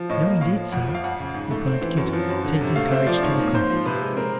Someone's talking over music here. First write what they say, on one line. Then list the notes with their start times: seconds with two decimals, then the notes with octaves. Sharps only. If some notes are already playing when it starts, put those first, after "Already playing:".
'No indeed, sir,' replied Kit, taking courage to look up.
Already playing: F3
0.10 A2 D#5
0.25 A#3
0.41 A2 F5
0.56 F3
0.72 F2 F#5
0.88 F3
0.95 F5
1.04 F2 F#5
1.19 C#3
1.34 G#2
1.51 A3
1.66 C4
1.82 E3
1.97 F#2
2.13 F3
2.29 F#2
2.45 D3
2.61 C3
2.76 A3 F5
2.92 C4 E5
3.07 F3 D5
3.23 G#2 C#5
3.39 A#3
3.54 G#2 C5
3.70 F3
3.85 C3 B4
4.01 G#3
4.17 C4 A#4